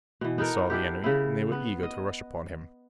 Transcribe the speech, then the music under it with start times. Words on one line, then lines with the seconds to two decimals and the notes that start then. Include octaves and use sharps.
They saw the enemy and they were eager to rush upon him.
0.21 B2 E3
0.38 B3 D#4 A4 A#4
0.70 D4 E4 G4
1.04 C#3 E4
1.52 B3
1.83 D#5